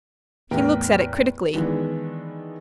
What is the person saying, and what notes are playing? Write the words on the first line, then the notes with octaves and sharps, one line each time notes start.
He looks at it critically.
E2 A2 A#4 B4 G5
D#3 E3 G#3 B3 D4 E4